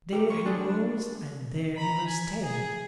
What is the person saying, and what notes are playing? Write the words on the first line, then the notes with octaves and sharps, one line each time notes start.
There he was, and there he must stay.
C3 G4 A#4 F5
F4 C#5 C#6
D3 F3 D4 G#4
A#5 B5
G#5
G#4